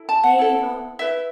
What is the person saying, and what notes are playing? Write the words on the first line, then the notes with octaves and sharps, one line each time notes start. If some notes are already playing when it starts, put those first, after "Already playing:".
Hey ho!
Already playing: E4 A4
A5
F#5
E4 A4
E4 B4 E5